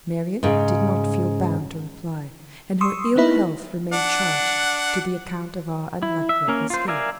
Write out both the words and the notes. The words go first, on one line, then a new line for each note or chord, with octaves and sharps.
Marian did not feel bound to reply, and her ill health remained charged to the account of our unlucky atmosphere.
G#2 C#3
C6 C#6 D#6 E6
A#3 B3 D#4 E4 B4
D4 F#5
E4
E5
A#3 C#4 A#4
F4 C5
A#4 D5 E5 F5 G#5